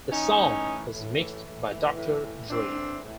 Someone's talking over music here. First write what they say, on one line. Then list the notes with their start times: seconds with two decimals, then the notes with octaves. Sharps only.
The song was mixed by Doctor Dre.
0.10 E3 C#4 D#4
0.37 A2
0.64 E3
0.90 A2
1.16 E3
1.43 A2
1.70 E3
1.96 A2
2.22 E3
2.49 A2 C4 D4
2.75 E3
3.02 A2